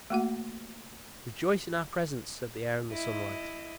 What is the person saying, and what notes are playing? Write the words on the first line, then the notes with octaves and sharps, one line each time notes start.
"Rejoice in our presence!" said the Air and the Sunlight.
A3 A#3 F#4 F#5
E4 D#5